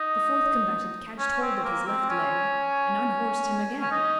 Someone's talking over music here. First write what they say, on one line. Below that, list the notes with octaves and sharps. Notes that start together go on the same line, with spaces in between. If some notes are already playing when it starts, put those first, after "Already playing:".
The fourth Combatant catch'd hold of his Left Leg, and unhors'd him again.
Already playing: D#4
C#4
C4
C4
A#3
C4
C#4
C#4
D#4